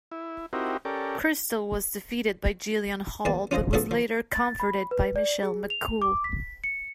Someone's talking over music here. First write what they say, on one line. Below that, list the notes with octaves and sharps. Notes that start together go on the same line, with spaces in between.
Kristal was defeated by Jillian Hall but was later conforted by Michelle McCool.
E4
C4 D#4 E4 F#4 G4 A#4
C#4 G4 A4 A#4 D5
E2 A#3 B4 A5
C#4 F4 C5 D#5
A2 F3 B3 F#4 G#4 A4
F3
A6
B5
B4
D5
G#4
F7
D6
B6
C#7